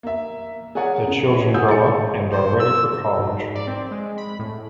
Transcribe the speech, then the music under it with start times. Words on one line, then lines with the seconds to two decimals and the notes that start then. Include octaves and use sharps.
The children grow up and are ready for college.
0.03 A#3 E5
0.75 G#4 A#4 C#5 D5 F#5 G#5
1.08 C#3
1.31 E4 C#5
1.54 F#5 G#5 D#6 E6 G6
1.68 A6 C#7
2.32 C5
2.60 E6
3.18 G#2
3.55 D5
3.67 C4
3.91 G#3
4.18 B5
4.39 A2